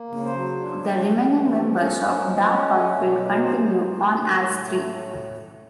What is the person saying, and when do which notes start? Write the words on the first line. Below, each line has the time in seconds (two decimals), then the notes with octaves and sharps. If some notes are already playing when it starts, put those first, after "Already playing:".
The remaining members of Da Pump will continue on as three.
Already playing: A#3
0.09 C#3
0.24 C5
0.32 F#3
0.56 D4
0.80 A3
1.04 C3
1.28 E3
1.51 F3 G4
1.75 C#4
1.83 A4
1.99 F3
2.15 A#4
2.23 G#3
2.46 C#4 C#5
2.70 A3
2.78 D#5
2.94 B2
3.10 D5
3.18 F#3
3.41 C3 C5
3.65 F#3
3.89 C3
4.12 D#3
4.36 A2
4.60 A3
4.84 A2